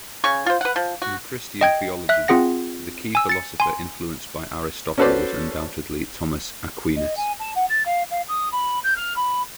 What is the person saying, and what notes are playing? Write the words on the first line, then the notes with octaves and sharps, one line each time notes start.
In Christian theology, the key philosopher influenced by Aristotle was undoubtedly Thomas Aquinas.
C#3 G#5 C#6
F4 C5
B4 F#5
F3
F#4
D#5 G5 G#6
E5 F#6
C4 F4 G#4 F#5 A#6
G#5 E6
A6 C#7
G#5 C6
C#4 F#4 A4 B4 C5 D5
D#5
G#5
A5
F#5
A6
F5
F5
D#6
B5
G6
F6
B5